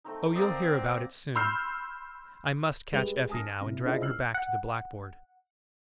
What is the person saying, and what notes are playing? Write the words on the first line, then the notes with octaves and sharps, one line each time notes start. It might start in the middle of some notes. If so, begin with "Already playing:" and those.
"Oh, you'll hear about it soon...I must catch Effie now and drag her back to the blackboard."
A3 C4 D#4
A#3 C4 D5 D#5
F#5
B5 C6 E6 F6 G6 C7
G#3 G4 B4 F7 G7
G#5 A5 D#6 F6 A#6
C3 E4
D4 E4 F4 G#4 C5 D#5
E6 F6 C7 F#7
F#5